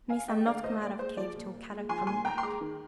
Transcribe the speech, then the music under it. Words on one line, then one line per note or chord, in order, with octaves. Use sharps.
Missa not come out of cave till Kadok come back.
D#2 F5 G#5
G#3 D#5 G5
D3 D5 F5
F5
D#2 C5 D#5
A#2 D5
G#3 C5
F3 D5
A#2
A#2
G#3
F3 G#5 C6
A#2 G#5 C6
D#2 G5 A#5
C6
G#3 A#5 D6
D#3